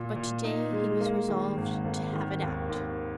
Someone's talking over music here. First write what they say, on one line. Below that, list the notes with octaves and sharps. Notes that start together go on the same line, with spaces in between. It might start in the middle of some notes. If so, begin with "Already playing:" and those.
But today he was resolved to have it out.
Already playing: A#2
A#2
D#4
G#3
A#3
D#3
G#1
G#1
D#3
D#2
D#2